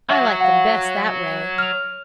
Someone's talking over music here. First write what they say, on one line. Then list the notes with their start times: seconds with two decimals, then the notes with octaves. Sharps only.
I like them best that way.
0.10 F#3 F#4 E5 F#5
0.41 F5 F#5
1.58 F6 F7